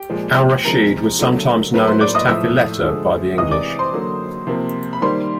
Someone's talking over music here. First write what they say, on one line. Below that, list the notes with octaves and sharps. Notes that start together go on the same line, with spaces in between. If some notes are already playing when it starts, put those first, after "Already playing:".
Al-Rashid was sometimes known as "Tafiletta" by the English.
Already playing: G4 G5
A#2 F3 G#3
C3 F3 G#3 A#4 A#5
D3 F#3 A3
A2 F#3 A#3 B4 B5
C5 C6
D5 D6
D#5 D#6
A2 F3 A3 E5 E6
D3 F3 G#3
C3 E3 G#3 D#5 D#6
D5 D6
C5 C6
D3 F#3 A#3
C3 F3 A#3
B5
D#3 G3 A#3 C5 C6